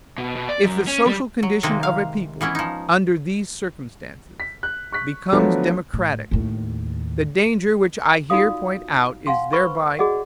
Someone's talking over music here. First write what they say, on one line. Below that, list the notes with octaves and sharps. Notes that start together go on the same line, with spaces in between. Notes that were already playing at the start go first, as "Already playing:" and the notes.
If the social condition of a people, under these circumstances, becomes democratic, the danger which I here point out is thereby increased.
B2
B2
D5
F#2
C#4
G3
F#3
C3 D#3 G#3 A#3 C4
F5
E3 B3 C#4 E4
F3 D#4
B6
F#6
C#6 F#6 B6
F3 F#3 A3 B3 D4
A2
D#2 A2
D#4 F4 F#4 D5 F5 D#6
F5 F#5 G#5 C6
B4 C5 B5 C#6
F#4 G#4 D5 D#5 F#5